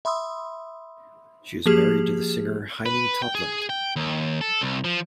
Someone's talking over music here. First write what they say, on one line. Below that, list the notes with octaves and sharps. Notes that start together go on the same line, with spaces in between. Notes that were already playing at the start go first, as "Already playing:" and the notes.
She is married to the singer Heine Totland.
E5 B5 C6 D#6 E6
F3 A#3 G4 G#4 F6 G#6
B4
G5
G#4
G5
D#2
A4
C2
F3